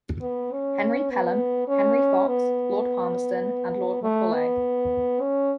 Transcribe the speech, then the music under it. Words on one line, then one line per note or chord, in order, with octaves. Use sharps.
Henry Pelham, Henry Fox, Lord Palmerston and Lord Macaulay.
B3
C#4
B3
C#4
B3
A3
B3
C#4